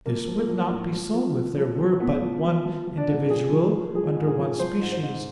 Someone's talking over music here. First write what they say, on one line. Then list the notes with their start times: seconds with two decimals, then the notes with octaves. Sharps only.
But this would not be so if there were but one individual under one species.
0.06 F3 A#3
0.28 F3
0.38 A#3
0.49 F3
0.71 A2
0.93 F3
1.14 F3
1.35 F3
1.57 F3
1.78 F3
2.00 A2 B3
2.22 F3
2.44 F3
2.65 F3
2.87 F3
2.97 D4
3.08 G#2
3.30 F3 G#4
3.52 F3
3.73 F3
3.95 F3 G#4
4.16 G#2
4.27 G#4
4.38 F3
4.59 F3 C5
4.81 G#2
4.92 C5
5.03 G#2